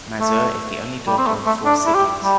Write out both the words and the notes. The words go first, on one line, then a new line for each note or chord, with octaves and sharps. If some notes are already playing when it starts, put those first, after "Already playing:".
Mazur is the only daughter of four siblings.
A3
G3
C4
A3
A3
D4
E4
G4
G3